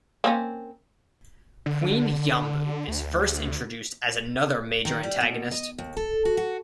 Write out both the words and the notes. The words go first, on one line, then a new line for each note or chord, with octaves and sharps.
Queen Yambu is first introduced as another major antagonist.
A#3 C4 C#4
D3
D2
D#3
G3
B2
D#5
D#2
A4
F#4
F#4